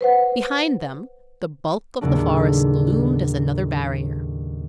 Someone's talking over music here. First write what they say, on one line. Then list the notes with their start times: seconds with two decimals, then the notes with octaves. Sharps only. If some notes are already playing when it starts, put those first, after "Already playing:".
Behind them the bulk of the forest loomed as another barrier.
0.01 B4 C5 F#5
2.01 D#2 A2 C#3 F#3 G3 D4